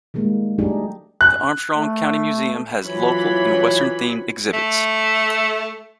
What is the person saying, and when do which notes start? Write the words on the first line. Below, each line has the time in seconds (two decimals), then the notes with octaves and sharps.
The Armstrong County Museum has local and western-themed exhibits.
0.14 D#3 G3 G#3 A#3
0.58 F#3 A3 D4 D#4 G4 G#4
1.21 F#6
1.76 A3
2.85 E3 F#3 C4 F4 C#5 B5
4.53 A3